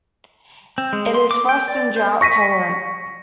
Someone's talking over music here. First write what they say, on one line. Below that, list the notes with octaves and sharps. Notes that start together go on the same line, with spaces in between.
It is frost and drought tolerant.
C4
G#3
C6
D6
G5
D5
C5
C#6 A#6 B6 D#7